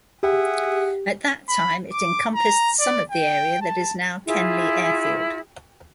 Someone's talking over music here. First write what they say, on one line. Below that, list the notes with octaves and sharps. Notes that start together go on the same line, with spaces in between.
At that time, it encompassed some of the area that is now Kenley Airfield.
G4 G#4 E5 F#5
B5
D6
A#5
D5
G5
A5
E4 F4 G#4